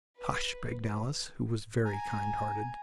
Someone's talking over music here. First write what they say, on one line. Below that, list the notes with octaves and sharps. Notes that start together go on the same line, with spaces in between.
"Hush!" begged Alice, who was very kind-hearted.
B4
G#5 A#5